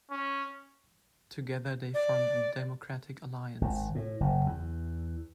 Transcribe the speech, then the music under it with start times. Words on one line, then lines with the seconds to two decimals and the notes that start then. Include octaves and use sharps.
Together they formed the Democratic Alliance.
0.11 C#4
1.94 D5
3.61 G#1
3.95 A2
4.20 F#1
4.46 E2